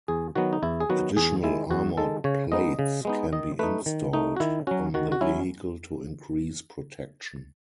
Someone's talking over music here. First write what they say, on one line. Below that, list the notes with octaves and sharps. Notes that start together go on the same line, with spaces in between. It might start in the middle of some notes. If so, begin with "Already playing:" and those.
Additional armoured plates can be installed on the vehicle to increase protection.
E2 G#4
D#3 F#3 B3 F#4
D#4
E2 E4
G#4
D#3 F#3 B3 F#4
E2 G#4
D#3 G#3 E4
E2 F#4
D#3 G#3 A4
C#3 C#5
G#3 B3 D#4 D#5
C#3
G#3 B3 D#4
D#3 D#5
A3 D#4 B4
D#3
A3 D#4
F#4
D#3 E4
F#3 C#4 F#4
D#3 F#4
F#4
F#3 C#4 E4